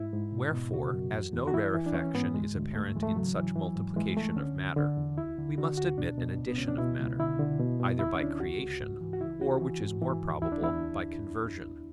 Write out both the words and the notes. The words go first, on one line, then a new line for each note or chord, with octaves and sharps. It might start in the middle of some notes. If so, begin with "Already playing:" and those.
Wherefore, as no rarefaction is apparent in such multiplication of matter, we must admit an addition of matter: either by creation, or which is more probable, by conversion.
Already playing: G#2 E4
G#2
B2
B2
C#3 F#4
F#2
E2
E2
F#4
E3 E4
E3
D4
E3 C#4
G#2 B3
D2 G#3
D2
G#2 A3
E3 G#3
A3
C#3 F#3
E3
E3
G#2
E3 G#3
C#2 A3
D3 C#4
D2
D3
E2
D2 E4
D3
D3 F#4
D2 F#4
B2 D4
B2
C#2
B3
C#2 C#4
D4
B2 E4
C#2
D3 E4
D3
B2
B2
D2 E4
C#4
D2 D4
C#2 F#4
C#2
G#2
E3
F#4
C#2 E4
C#2 F#4
E3
G#2
E3
D2
E2 E4
D4
E2 E4